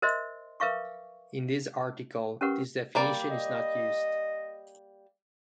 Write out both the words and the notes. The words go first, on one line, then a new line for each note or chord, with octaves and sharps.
In this article this definition is not used.
A#4 C5 D#5 E5 C6
A#4 B4 E5 F5 C#6 D6
C#4 G4 A#4 B4 F#5 C#6
G3 A#3 D5
D#5